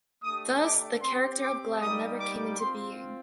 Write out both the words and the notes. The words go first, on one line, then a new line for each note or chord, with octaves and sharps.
Thus, the character of Glen never came into being.
A3 D4 G4 D#6
D6
C4 G4 C6
D6
G3 A#3 D#4 G4 D#6
D6
C4 F4 C6